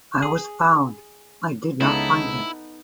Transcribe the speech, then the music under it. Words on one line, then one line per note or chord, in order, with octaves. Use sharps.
I was found; I did not find him.
G#4
C#2 C#3 B3 D#4 E4 A4